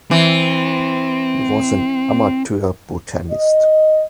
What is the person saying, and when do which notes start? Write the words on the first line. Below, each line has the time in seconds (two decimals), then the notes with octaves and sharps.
He was an amateur botanist.
0.11 E3 C4
3.31 D#5